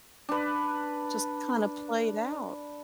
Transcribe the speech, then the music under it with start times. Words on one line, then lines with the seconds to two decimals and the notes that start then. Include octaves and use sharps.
Just kinda play it out.
0.29 D4 B4